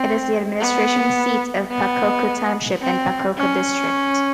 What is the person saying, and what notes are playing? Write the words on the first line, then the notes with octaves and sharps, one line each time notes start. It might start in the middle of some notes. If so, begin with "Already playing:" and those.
It is the administration seat of Pakokku Township and Pakokku District.
Already playing: C4
B3
B3
C4
C#4